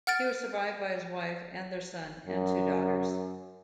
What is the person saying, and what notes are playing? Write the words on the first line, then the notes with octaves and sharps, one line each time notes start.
He was survived by his wife, and their son and two daughters.
F#5 F6 A6 D7
F#2